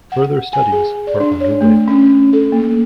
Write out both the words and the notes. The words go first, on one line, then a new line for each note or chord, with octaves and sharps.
Further studies are underway.
F#5
G#5
G#4
D5
D4
C#5
A3
C#4
A4
A#3